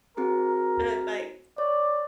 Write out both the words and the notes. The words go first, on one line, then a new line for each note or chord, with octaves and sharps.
Alright. Bye.
C4 F#4 G#4 A#4
C#5 D5